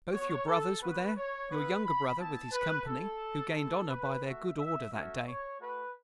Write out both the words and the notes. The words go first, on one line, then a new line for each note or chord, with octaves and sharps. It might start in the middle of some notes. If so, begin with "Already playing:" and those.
Both your brothers were there; your younger brother with his company, who gained honor by their good order that day.
B3 F#4 C#5
A4
B3 F#4 B4
C#5
B3 E4 B4
B5
B3 E4 A5
B4
A3 E4 A4
A3 E4 A4
B4
A3 F#4 E5
E5
A3 C#4 F#4 E5
C#5
A3 F#4 B4